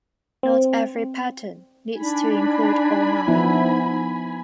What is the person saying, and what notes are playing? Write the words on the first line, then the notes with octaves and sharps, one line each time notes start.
Not every pattern needs to include all nine.
C4
D4 D#4 G#5 B5
F3 B3 E4